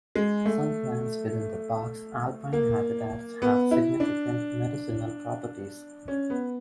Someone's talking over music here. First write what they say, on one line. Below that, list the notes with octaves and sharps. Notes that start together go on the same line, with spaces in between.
Some plants within the park's alpine habitats have significant medicinal properties.
G#3
A3
A#3
B3
E4
D4
C#4
B3